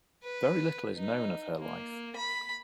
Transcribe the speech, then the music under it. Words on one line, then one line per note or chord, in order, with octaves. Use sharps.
Very little is known of her life.
B4
D#4
A#3
B5